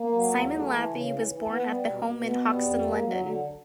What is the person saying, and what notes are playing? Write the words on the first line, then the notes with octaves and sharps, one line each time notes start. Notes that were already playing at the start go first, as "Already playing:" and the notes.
Simon Laffy was born at home in Hoxton, London.
Already playing: A#3
F#3
E2
A3
E3
C#3
E3
E3
B3
G3
B2
B2
B3
G3
F2
A#3
F#3
D3